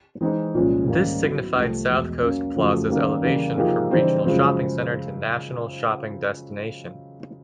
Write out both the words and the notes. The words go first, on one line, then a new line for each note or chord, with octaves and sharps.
This signified South Coast Plaza's elevation from regional shopping center to national shopping destination.
E3 G#3 C4 D#4
C2 A#2 F3 G#3 C#4
G#2 D#3 G3 A#3 C#4
F#3 B3 E4
C2 C3 F3 A3
E2 B2 G#3
F#3 A#3 C#4
F2 C#3 F#3 A3
D#3 G3 A#3 C#4
C#3 E3 G3 A#3
C3 F3 A#3 D#4 G#4
C#3 E3 G3 C4 D#4
F#2 C#3 F3 G#3 C4